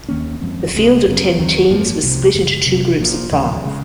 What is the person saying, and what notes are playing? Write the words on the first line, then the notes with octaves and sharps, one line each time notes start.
The field of ten teams was split into two groups of five.
D#2 D#3 A#3 C#4
F#2 F3 G#3 C4
C2 C3 F3 G#3
F#1 F#2 C#3
D#2 D#3 F#3 C4
G#1 F#2 F3 A#3
C2 C3 F3
F#1 F#2 C#3 G#3
F1 F2 C3 F#3
A#1 A#2 F3
D#2 C#3 F3 G#3
C#3 G#3